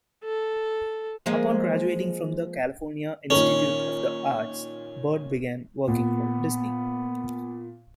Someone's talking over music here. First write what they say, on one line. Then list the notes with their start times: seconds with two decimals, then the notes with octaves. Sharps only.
Upon graduating from the California Institute of the Arts, Bird began working for Disney.
0.24 A4
1.26 F3 G#3 A#3
3.30 A#2 D#3 C#4 A#4
5.87 A#2 B3